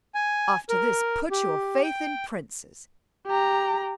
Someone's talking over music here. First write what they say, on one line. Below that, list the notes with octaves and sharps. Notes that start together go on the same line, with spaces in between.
After this, put your faith in princes!'
G#5
A#4
G4
G5
G4 A#5